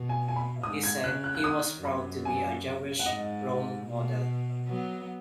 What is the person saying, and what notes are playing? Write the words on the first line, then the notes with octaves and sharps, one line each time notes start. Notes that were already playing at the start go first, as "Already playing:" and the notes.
He said he was proud to be a Jewish role model.
Already playing: B2
G#5
G#5
B5
G#2 D#6
G#6
C#3 F#6
F#6
F#6
D#3 D#6
F#2 B5
G#5
F#5
G#2 D#5
B2
F#3 B3